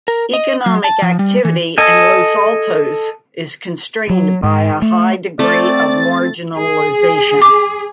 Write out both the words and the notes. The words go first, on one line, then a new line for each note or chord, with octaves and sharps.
Economic activity in Los Altos is constrained by a high degree of marginalization.
A#4
D#5
F#3
A5
F3
G3
E3
A4 D#5 G#5
F#3
G#2
A3
A3 C4 D5 A6
G#4
D6